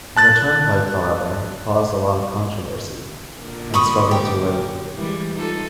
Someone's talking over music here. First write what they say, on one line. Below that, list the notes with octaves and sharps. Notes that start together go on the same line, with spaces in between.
The turnpike however, caused a lot of controversy, and struggled to live.
A5 F#6 A6
A#2 D3 A#4
B5 C#6 D#6
G4
E3 G3 G#3
D#4 F4 A4